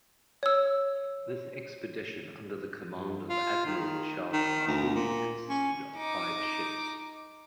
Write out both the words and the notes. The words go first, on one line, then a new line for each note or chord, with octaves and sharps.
This expedition, under the command of Admiral Jacques Mahu, consisted of five ships.
C#5 E6
G2
F4
D#3
D#3
D2
A#2
C#4
D#4 D6